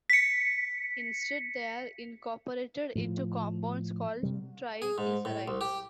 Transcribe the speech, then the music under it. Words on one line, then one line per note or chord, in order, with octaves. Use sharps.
Instead, they are incorporated into compounds called triglycerides.
B6 C#7
A2 F3
C3 G3
G#4
G#2
A2
C2
G4